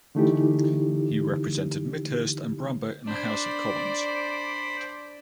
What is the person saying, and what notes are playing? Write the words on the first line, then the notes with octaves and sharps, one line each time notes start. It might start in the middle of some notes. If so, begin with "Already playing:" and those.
He represented Midhurst and Bramber in the House of Commons.
D3 E3 A3 D#4 E4 G4
D4 C5 D5 B5